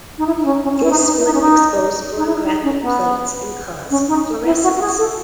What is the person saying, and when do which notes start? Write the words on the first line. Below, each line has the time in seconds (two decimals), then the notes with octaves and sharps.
This would expose photographic plates and cause fluorescence.
0.18 D#4
0.26 E4
0.39 D#4
0.44 C#4
0.63 C#4
0.76 C#4
0.83 E4
0.90 D#4
1.04 D#4
1.18 E4
1.25 D#4
1.33 C#4
1.40 D#4
2.17 D#4
2.25 E4
2.44 D#4
2.62 C#4
2.81 B3
3.90 C#4
4.08 D#4
4.45 E4
4.62 F#4
4.76 F#4
4.81 G#4
4.98 A4